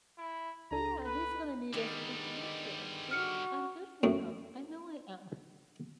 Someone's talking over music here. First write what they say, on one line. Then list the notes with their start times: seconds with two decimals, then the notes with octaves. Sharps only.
Yeah, he's gonna need us to push the wheelchair. See? I'm good for him, I know I am,
0.18 E4
0.71 C#2 D4 A4 A#5
1.05 B4
1.73 D3 D#3 G3 G#3 B3
3.11 F#4 F6 C#7
4.03 F#2 A2